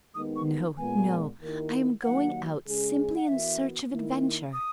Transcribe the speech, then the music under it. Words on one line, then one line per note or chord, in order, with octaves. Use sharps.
No, no; I am going out, simply in search of adventure.
D#2 D#3 G#3 B3 D#4 D#6
C#6
A#2 G#3 B3 G#5
D#2 D#3 A#3 E4 A#4
D#2 D#3 F#3 A#3 F#5
C#3 G#3 C#4 G#4
F#5
E3 B3 F#4 A#4 E5
D#3 A#3 E4
D#6